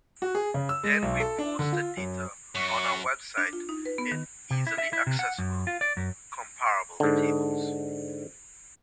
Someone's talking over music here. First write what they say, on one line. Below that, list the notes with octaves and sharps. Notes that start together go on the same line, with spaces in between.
Then we post the data on our website in easily accessible, comparable tables.
F#4
G#4
C#3
E6
G#3
B1
A4
D4
D3
F4
F#2
F#2 F#4 C#6
D4
F4
D#4
B4
B3
D#3
C3
E4
E5
E4
C3
F#5
F#2
F4
D5
F#2
G#2 D3